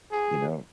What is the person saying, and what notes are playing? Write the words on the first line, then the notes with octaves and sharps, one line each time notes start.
you know,
G#4